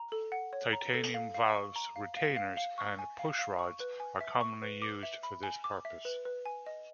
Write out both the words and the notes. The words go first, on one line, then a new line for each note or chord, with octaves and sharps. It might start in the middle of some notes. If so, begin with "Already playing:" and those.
Titanium valves, retainers, and pushrods are commonly used for this purpose.
Already playing: A#5
A4
F#5
C#5
A#5
A4
F5
F5
C#6
A#5
F5
F5
F5
F5
C#6
G#5
F5
F5
C#6
B4
G#5
E5
C#6
B4
D6
E5
B5
G#5
D6
E5
B4
B4
G#5
D#5